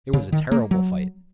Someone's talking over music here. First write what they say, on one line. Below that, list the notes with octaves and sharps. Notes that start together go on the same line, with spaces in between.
It was a terrible fight!
C#3
D#3
A#3
F#3